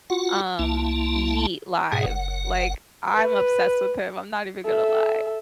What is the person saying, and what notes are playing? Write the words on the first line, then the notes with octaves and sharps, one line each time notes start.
um, Yeat live. Like, I'm obsessed with him, I'm not even gonna lie.
F4 F#4 F#5
C2 A#3 E4 A5
G#2 B2 G#4 F#5
F#1 F#5
B4
A4 E5